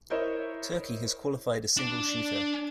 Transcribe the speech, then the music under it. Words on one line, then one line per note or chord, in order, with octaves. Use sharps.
Turkey has qualified a single shooter.
E4 A#4 C5 C#5 D#5 E5
D4 D5